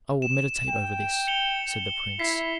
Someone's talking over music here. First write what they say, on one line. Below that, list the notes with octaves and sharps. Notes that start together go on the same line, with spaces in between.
"I will meditate over this," said the prince.
E7
G5
C#7 F7 G7
E4 B6 C7